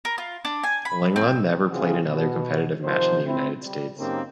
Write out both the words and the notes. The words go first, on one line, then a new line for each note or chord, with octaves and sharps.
Lenglen never played another competitive match in the United States.
A#4
F4
D4
G#5
B5
C4
C#3 E3 C4 F4 F#4 G#4
B2
C3 D#3 F3 C5
C4 E4
G3
F#2 C#3 A#3 C4 D#4 G4